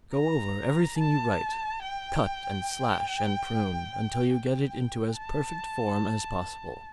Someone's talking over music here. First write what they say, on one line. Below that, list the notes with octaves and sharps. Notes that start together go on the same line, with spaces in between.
Go over everything you write, cut and slash and prune until you get it into as perfect form as possible.
A#5
A5
G5
G5
A5